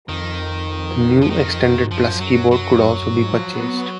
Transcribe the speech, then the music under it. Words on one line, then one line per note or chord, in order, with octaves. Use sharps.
The new extended Plus keyboard could also be purchased.
F2 D#3
F3
D#3
G#2
F#2 F3
F#3
F#3
F#2
G#2
F3
B3
B3